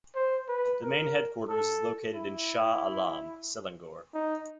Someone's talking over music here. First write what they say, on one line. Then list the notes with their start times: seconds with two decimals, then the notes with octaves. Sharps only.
The main headquarters is located in Shah Alam, Selangor.
0.16 C5
0.48 B4
0.82 A#4
1.49 A4
2.14 E4
4.14 D#4